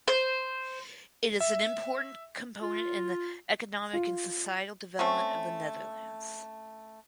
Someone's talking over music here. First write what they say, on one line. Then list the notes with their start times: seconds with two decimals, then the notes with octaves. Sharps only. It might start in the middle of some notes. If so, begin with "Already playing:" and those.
It is an important component in the economic and societal development of the Netherlands.
0.08 C5
1.40 E5
2.62 F4
3.93 F4
4.99 A3 C4 C#4